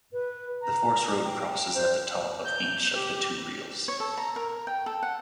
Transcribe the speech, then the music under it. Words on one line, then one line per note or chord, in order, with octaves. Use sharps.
The forest road crosses at the top of each of the two reels.
B4
A#5
G5
C5
G6
G4
C#5
A4
A#5
A#4
G5
A4
F#5